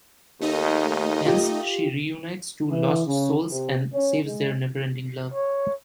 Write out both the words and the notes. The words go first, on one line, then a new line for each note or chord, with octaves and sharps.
Hence, she re-unites two lost souls and saves their never ending love.
D#2 A3 D#4 D#5
F4 G4
E3
C#3
C3
C#4
G#3
C#5